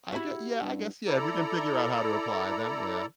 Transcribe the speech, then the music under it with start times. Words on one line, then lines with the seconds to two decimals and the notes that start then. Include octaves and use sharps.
I gu yeah, I guess, yeah, if you can figure out how to apply them, yeah.
0.12 E4 F#4 G4 E5 B5
0.61 G2
1.07 E4 A4 D5 A#5